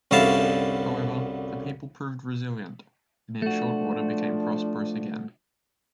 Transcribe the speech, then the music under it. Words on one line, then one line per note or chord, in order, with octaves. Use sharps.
However, the people proved resilient, and in short order became prosperous again.
C2 F#2 D3 E4 F5 A5
F3 A3 D4 F#4